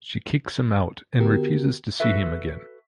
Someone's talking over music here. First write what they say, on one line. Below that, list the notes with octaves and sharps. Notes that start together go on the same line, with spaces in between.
She kicks him out and refuses to see him again.
D3 B3 F#4 G4 A#4
F#4 A4 B4 E5